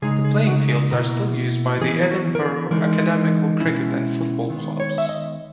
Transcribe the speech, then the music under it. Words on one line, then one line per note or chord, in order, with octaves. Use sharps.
The playing fields are still used by the Edinburgh Academical cricket and football clubs.
C#3 G#3 D#4 G#4
G#4
F#4
G#4
B2 A#3 E4 A#4
E3 B3 E4 G#4
F#4
A#4
G#4
E3 G#3 D#4 A#4
B2 G#3 C#4 E4
D#3 G#3 B3
C#5
E5
D#5